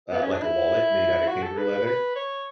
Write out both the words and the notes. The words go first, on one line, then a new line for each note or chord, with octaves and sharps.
uh like, a wallet made out of kangaroo leather.
B3
C#4
D4
E4
F#4
A4
B4
B4
C#5